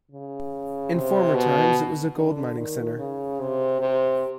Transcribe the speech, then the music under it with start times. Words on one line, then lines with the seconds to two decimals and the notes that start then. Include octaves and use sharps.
In former times it was a gold mining centre.
0.12 C#3
0.93 C3
1.35 B2
2.16 D3
2.58 D#3
2.98 C#3
3.40 C3
3.81 C3